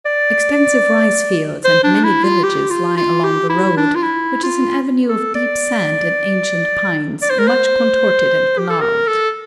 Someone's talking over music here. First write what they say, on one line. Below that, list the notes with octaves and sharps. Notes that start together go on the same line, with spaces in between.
Extensive rice-fields and many villages lie along the road, which is an avenue of deep sand and ancient pines much contorted and gnarled.
D5
C5
D4
E4
F4
G4
F4
F4
G4
E4
D4
F4
E4
F4
A4
D5
D5
C5
A#4
C5
G4
A4
A#4
A4